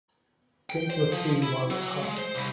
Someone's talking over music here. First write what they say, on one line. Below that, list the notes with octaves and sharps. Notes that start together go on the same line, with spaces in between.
Drink your tee while it's hot.
G5
C5
F3
E4
F#3
G#3
C5
C2